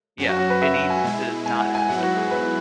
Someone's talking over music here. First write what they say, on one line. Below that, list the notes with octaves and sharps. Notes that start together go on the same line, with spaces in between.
yeah, it needs to not happen.
F#2 F#3 C#4
F#4
F#4
B4
E5
F#5
G#5
B2 G#3 E4
G#5
F#5
G#5
G#2 F#3 B3 E4 F#5
F#4
G#4
B4